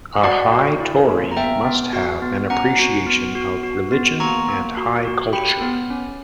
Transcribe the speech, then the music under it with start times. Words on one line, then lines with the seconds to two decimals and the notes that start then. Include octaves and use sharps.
A "High Tory" must have an appreciation of religion and high culture.
0.23 F#4 D5 F#5
0.52 F#4
0.80 E4
1.08 A#3
1.31 A#5
1.37 B3 E5 G5
1.64 B3
1.93 F#4
2.22 B3
2.50 C#4 F#5 A#5
2.79 F#4
3.07 B3
3.35 F#4
3.63 F#4
3.92 B3
4.20 A#3 A#5 C#6
4.49 A#3
4.77 F#4
5.05 F#4
5.33 G4 G5 B5
5.61 B3
5.90 C#4